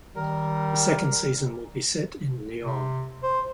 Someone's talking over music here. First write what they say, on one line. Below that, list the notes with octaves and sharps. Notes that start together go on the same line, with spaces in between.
The second season will be set in Neom.
D#3 G3 A#4
C3
C5